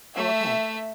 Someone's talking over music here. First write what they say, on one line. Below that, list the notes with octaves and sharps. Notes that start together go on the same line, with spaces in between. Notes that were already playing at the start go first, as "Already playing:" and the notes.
Oh, okay.
A3 E5